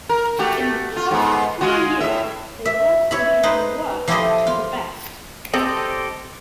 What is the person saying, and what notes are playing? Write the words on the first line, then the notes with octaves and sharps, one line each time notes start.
In the past three years, they've gone from being the worst to the best.
A#4
A3 F#4 G4
F4
G#2 B3
G#3 F4 F#4
A2 E5
E5
C#5 E5 B5
D#4 B4 C5 B5
F3 E4 G4 A4 C5 D#5
F4
C4 G4 A4 C5 D5 D#5